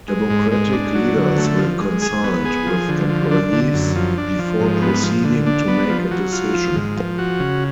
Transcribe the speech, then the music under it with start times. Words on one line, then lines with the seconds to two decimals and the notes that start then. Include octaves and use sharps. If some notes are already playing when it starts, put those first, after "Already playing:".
Democratic leaders will consult with employees before proceeding to make a decision.
0.08 G#3
0.30 G#2
0.52 G#3
0.73 D4
0.95 F#3
1.16 D3
1.38 A3
1.59 F3
1.80 G#3
2.02 G#4
2.24 B3
2.45 G#4
2.67 F3
2.88 D3
3.09 F3
3.31 D4
3.53 D3
3.74 F#2
3.96 F3
4.18 D4
4.39 F3
4.60 G#2
4.82 B3
5.03 F3
5.25 D3
5.47 D4
5.68 B3
5.89 F3
6.11 F#3
6.33 F4
6.54 F3
6.75 G#2
6.97 F3
7.18 F#4
7.40 C#3